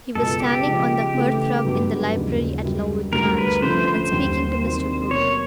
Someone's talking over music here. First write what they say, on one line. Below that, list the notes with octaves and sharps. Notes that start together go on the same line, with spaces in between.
He was standing on the hearth-rug in the library at Lowick Grange, and speaking to Mr. Brooke.
C#2 B2 G#3 B3 A4
G4
C#3 F3 G#3
C#3 E3 A3
G2 D3 F#3 B3
D#2 C#3 F3 G#3
F#2 D3 G3
D2 D3 G3 A#4
B4
D3 F3 A3 C#4 C5
C5
D#2 D3 G3
C3 D#3 F#3 A#3 D4
B2 F#3 A#3 C#5